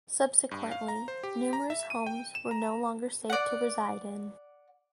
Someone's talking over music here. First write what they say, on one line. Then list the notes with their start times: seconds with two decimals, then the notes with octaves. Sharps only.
Subsequently numerous homes were no longer safe to reside in.
0.51 G2
0.72 F5
0.88 A#5
1.08 C5
1.23 G4
1.53 A#5
1.70 E5
1.90 D#7
2.07 G5
2.35 E7
2.51 A#5
3.30 D5 F#5